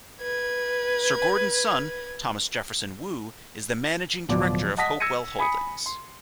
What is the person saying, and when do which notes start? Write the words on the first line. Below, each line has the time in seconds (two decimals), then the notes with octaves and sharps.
Sir Gordon's son, Thomas Jefferson Wu, is the managing director of Hopewell Holdings.
0.21 B4 G#6
4.29 D1 B2 F3 F#3 D5 D6
4.77 D#5 F#5 A5 D#6 A#6 B6
5.00 E6 G#6 A#6 C#7 D#7
5.39 G#5 B5 D#6 C#7
5.86 C6